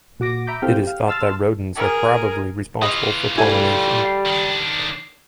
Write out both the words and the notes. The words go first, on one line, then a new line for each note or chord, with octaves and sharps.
It is thought that rodents are probably responsible for pollination.
A#2 F#4 D6 A#6
E5 A#5 B5 D6 G6
C4 E4 G4 A4 F5 G5
G4 F5
A5 C6 E6 F6 A6
G#4 A#4
E3 F4 D#5
G3 A3 E4 G#5
D#3 D4